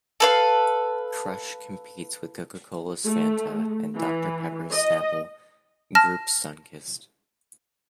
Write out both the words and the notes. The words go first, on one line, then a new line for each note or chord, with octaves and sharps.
Crush competes with Coca-Cola's Fanta, and Doctor Pepper Snapple Group's Sunkist.
A4 B4 F5
A3
E3
D#5
A5 F6 A#6